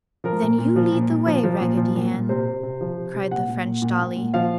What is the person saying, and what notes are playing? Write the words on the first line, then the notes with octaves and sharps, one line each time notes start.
"Then you lead the way, Raggedy Ann!" cried the French dolly.
F3 A#4
A#2
A#2
F3
A#2
A#2
F3
F3
A#2
F3
A#2
A#2
C3 C5
C3
C3
F3
C3
C3
A#2 F#5
A#2
A#2
A#2
A#2
A#2
F3 F5